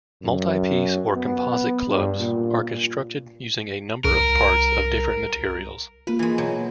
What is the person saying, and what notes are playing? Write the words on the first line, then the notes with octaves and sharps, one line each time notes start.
Multi-piece or composite clubs are constructed using a number of parts of different materials.
F#2
B3
G2
A#2
C2 A#4
A#3 F4 B4
E3 G#3
B2 F#3